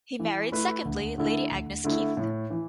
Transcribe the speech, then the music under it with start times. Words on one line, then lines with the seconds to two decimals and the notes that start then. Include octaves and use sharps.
He married secondly Lady Agnes Keith.
0.20 E3
0.52 A3 E4 B4
0.85 D2
1.18 D3 A3 E4 A4
1.51 D2
1.84 D3 A3 E4 A4
2.17 A2
2.50 E3